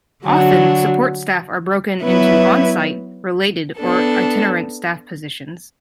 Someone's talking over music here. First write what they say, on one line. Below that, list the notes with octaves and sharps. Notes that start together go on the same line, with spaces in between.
Often support staff are broken into on-site, related, or itinerant staff positions.
D3 F#3 D4 F#4
F#3 B3 E4 B4 E5
B3 D4 A4